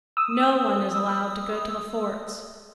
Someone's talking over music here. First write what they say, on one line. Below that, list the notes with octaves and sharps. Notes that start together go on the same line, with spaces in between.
No one is allowed to go to the forts.
D#6 E6